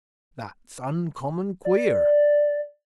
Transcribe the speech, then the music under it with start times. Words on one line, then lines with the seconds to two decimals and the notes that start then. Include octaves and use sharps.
"That's uncommon queer."
1.65 D5